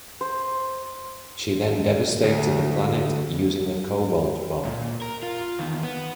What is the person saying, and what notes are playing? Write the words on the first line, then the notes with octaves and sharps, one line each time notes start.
She then devastated the planet using a cobalt bomb.
C5
D2
A#2
A#4
F4
E2 D#3
B3